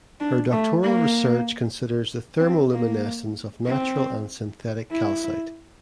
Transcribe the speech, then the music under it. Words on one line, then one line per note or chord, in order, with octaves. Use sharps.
Her doctoral research considers the thermoluminescence of natural and synthetic calcite.
D4
A3
A#3
C4
A#3
C4
E4